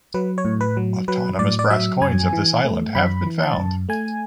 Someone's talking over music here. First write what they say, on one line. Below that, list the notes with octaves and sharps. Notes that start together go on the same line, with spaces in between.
Autonomous brass coins of this island have been found.
F#3 B4
C#5
A2
B4
F#3
F#3 B4
A2 D5
D5
F#3 E5
F#2 G#5
E3
A3
F#2 B5
E3
A5
F#2
A3 G#5